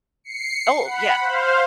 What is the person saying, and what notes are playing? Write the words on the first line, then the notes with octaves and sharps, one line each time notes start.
Oh, yeah.
C7 C#7
F#5 B5
C5 F5